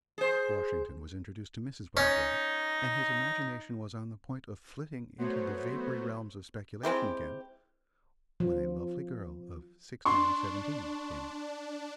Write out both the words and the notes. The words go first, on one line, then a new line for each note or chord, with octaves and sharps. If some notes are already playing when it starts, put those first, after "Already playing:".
Washington was introduced to Mrs. Boswell, and his imagination was on the point of flitting into the vapory realms of speculation again, when a lovely girl of sixteen or seventeen came in.
G#4 C5
C#4 D#4
F#3 A3 B3 F#4 C5 C#5
G#3 C4 E4 G4
F3
D4 C6 C#6